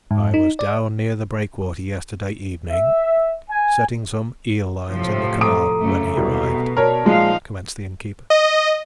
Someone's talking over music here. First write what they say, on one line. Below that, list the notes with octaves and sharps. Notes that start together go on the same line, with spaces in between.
"I was down near the breakwater yesterday evening, setting some eel-lines in the canal, when he arrived," commenced the innkeeper.
G#2
D#4
D5
E5
G#5
A2 C3 F3
A4 A#5 D6 D#6 D7
F#2 C#3 A3
C2 B2
A#4 C#5 D5 A5
A#2 F3 G#3 D#4 F5
D#5